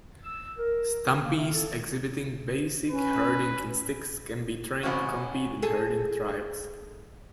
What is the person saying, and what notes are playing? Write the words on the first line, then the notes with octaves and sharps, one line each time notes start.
"Stumpies" exhibiting basic herding instincts can be trained to compete in herding trials.
E6
A#4
A#3
C3
A4
C#4 B4
A1 B2 C4 C#4 F#4 F6
G#4 A4